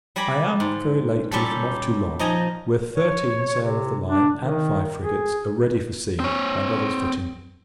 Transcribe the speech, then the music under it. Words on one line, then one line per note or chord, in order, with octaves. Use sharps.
I am, very lately, from off Toulon; where thirteen sail of the line, and five frigates, are ready for sea, and others fitting.
G3 D5 G#5 A#5 B5
G#2
A#2 G3 C#4 G4 A4
F3 D#4 D#5 G#5 A#5
C#5
C3
D4
D#3
G#4
C4 C#5